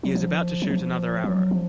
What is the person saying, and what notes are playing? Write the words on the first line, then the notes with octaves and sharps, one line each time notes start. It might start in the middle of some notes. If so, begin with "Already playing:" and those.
He is about to shoot another arrow.
F#3
F3
F#3
F3
F#3
F3